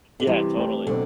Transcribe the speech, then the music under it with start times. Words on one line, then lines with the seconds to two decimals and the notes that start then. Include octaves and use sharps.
Yeah, totally.
0.20 D3
0.27 C3 E3 G3 C4 E4 G4
0.56 A3 C4 G4
0.87 B2 D3 F#3 C4